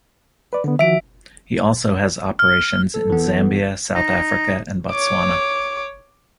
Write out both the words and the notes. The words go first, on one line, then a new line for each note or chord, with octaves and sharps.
He also has operations in Zambia South Africa and Botswana.
B4 D5
D3 B3
D#3 F3 F#4 E5 D7
F6
A4
E3 B3
D#4
C#5 D6